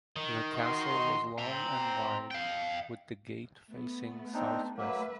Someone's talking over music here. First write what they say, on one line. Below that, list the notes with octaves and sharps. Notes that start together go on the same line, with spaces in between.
The castle was long and wide with the gate facing southwest.
D#3
F#4 D#5 C6
C4 A#5 C6
F5 G5
A3 B3
C4 D4 D#4
F#3 A3 A#3 B4 E5